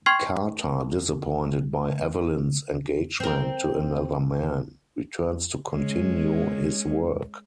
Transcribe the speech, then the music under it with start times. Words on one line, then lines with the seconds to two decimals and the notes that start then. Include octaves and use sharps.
Carter, disappointed by Evelyn's engagement to another man, returns to continue his work.
0.06 G5 C6 C#6 F6 G#6 C7
3.20 C4 A#4
5.72 G#3 C#4